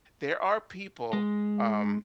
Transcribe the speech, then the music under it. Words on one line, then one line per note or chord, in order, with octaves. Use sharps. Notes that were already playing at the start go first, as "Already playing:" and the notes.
there are people, um,
G#3